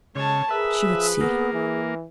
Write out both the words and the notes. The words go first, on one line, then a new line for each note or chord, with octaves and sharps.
She would see.
C#3 G#3 C#5 A5
G#4 A#4 B4 E5
F3
A#3 B3
E3